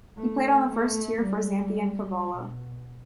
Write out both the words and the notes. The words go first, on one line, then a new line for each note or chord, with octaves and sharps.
He played on the first tier for Xanthi and Kavala.
A3
A3
G3
B2